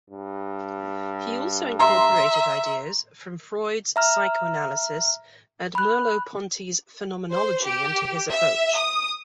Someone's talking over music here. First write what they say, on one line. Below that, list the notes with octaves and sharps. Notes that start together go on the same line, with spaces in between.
He also incorporated ideas from Freud's psychoanalysis and Merleau-Ponty's phenomenology into his approach.
G2
E5 A#5 C6
E5 A#5 F6
B5 F#6
C5
G4
E5
D#6